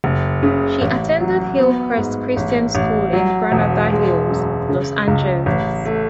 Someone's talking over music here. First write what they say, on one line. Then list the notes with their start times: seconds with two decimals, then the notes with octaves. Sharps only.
She attended Hillcrest Christian School in Granada Hills, Los Angeles.
0.04 F#1
0.43 C#3
0.81 A1
1.20 F#3
1.59 B3
1.97 G#2
2.37 A1
2.75 A1
3.13 F#3
3.52 E1
3.92 G#3
4.30 F#2
4.69 C#3
5.08 C#2
5.46 A1
5.86 A3